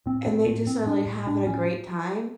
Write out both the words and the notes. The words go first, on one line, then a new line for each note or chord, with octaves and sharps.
and they just are like having a great time.
A2 C4
A2
A2
A2 C4
A2 D4
A2
A2 D4
A2 C#4